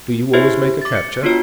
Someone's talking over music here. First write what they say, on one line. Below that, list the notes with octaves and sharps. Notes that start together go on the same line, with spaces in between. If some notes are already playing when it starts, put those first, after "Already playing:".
"Do you always make a capture?"
E4 G4 G#4 C5 C#5 E5
D6 A6
C#7
B3 D4 F4 F#4 C#5